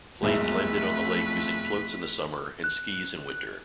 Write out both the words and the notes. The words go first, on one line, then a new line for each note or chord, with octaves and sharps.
Planes landed on the lake using floats in the summer and skis in winter.
E1 B1 F2 G#3 A3 E4 B4
F#6